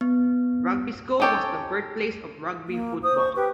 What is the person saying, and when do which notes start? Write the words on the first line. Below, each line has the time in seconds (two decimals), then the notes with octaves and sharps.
Rugby School was the birthplace of Rugby football.
0.01 B3
1.20 C#4 D#4 G4 A4 C#5
2.68 A#3
3.03 C5 D#6
3.17 C#6
3.35 G4 B4